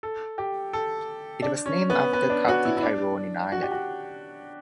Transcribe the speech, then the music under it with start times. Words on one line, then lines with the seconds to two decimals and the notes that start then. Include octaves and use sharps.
It was named after County Tyrone in Ireland.
0.03 A4
0.38 G4
0.73 A4
1.42 D4
1.66 C#4
1.90 B3
2.13 B3
2.30 D4
2.48 F#4
2.65 E4
2.77 E4
2.82 D4
3.52 F#4
3.62 G4
3.72 F#4